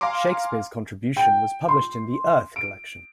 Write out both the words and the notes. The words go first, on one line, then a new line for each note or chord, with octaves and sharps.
Shakespeare's contribution was published in the "Earth" collection.
F5 G#5 A#5 C6 D6
G5
C6
D7